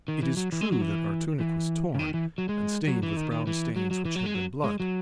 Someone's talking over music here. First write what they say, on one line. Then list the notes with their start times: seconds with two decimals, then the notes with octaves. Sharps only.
It is true that our tunic was torn and stained with brown stains which had been blood.
0.08 D#3
0.23 E3
0.37 F#3
0.52 E3
0.61 G#3
0.72 F#3
0.81 E3
1.40 E3
1.95 C#3
1.99 D#3
2.14 E3
2.38 F#3
2.49 G#3
2.88 F#3
3.03 E3
3.17 D#3
3.32 D#3
3.47 E3
3.76 F#3
3.91 F#3
4.05 E3
4.16 F#3
4.26 G#3
4.34 F#3
4.64 G#3
4.80 F#3